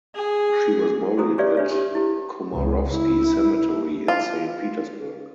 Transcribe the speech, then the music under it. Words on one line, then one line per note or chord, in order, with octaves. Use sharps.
She was buried at Komarovsky cemetery in Saint Petersburg.
G#4
F#4 G#4 C5 A#5 D#6
G4 G#4 B4 C#5 D5 E5
D4 B4 C#5 E5
G4
E4 G4
C#2
E4
F4